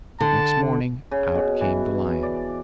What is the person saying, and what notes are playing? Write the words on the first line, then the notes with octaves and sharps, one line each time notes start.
Next morning out came the lion.
D3 A5
C#3
B2
E3
D5